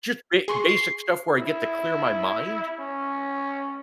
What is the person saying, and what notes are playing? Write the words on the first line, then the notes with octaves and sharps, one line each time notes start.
just, ba basic stuff where I get to clear my mind.
G#4 C6 C#6
C7
E4
C#4